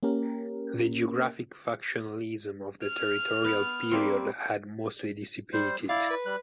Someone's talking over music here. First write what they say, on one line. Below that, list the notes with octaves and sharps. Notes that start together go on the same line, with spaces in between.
The geographic factionalism of the territorial period had mostly dissipated.
A#3 C#4 G4 A#4
F6
B3
G3 A#3 C4
G3 C5
E4 D5 F5
B4
G3 F#6